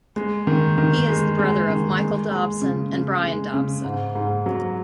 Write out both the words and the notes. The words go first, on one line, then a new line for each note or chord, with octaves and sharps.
He is the brother of Michael Dobson and Brian Dobson.
G#3
D#3
D#3
G#3
G#3
D#3
G#3
G#3
C#3
C#3
G#3
C#3
G#2
G#2
F#3